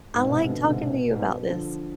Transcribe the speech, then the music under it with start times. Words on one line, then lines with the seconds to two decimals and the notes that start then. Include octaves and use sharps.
I like talking to you about this.
0.14 G#2
0.21 B2
0.29 G#2 C3
0.42 C3
0.49 B2 D3
0.64 D3
0.70 G#2 C3
0.83 C3
0.90 B2
1.15 G#2
1.19 B2
1.50 D3 F3